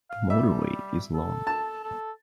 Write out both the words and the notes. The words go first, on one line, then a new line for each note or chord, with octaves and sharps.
The motorway is long.
F5
G3 E5
A4
A5
A4